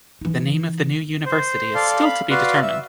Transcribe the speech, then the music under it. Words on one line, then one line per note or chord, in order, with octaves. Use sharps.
The name of the new university is still to be determined.
E3 D#4
C5
A4 D5 F5 C6
F5 B5
F#4 B4 D5 F5 C6
E5